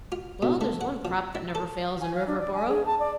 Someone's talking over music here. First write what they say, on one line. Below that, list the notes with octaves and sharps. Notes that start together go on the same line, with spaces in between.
"Well, there's one crop that never fails in Riverboro!"
F4
B2
A3
F#5
F3
E4
A4
G#5
F5
D4
D5
G#5
G#4
A5
D5